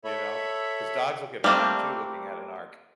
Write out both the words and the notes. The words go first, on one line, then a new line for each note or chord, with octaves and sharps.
You know? 'Cause dogs will get blind too looking at an arc.
A4 C#5 E5 B5
G3 A3 A#3 C4 D4